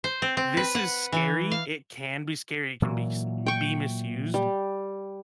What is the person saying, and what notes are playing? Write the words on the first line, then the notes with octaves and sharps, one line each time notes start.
this is scary. It can be scary. It can be sm be misused,
C5
C4
C4
B4
F#5
E3
F5
A#2 E3 F#3
G5 C#6
G3